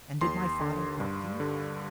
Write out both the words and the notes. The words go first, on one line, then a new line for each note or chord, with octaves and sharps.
"And did my father hurt thee?"
D#2 C6
D3
G2
D3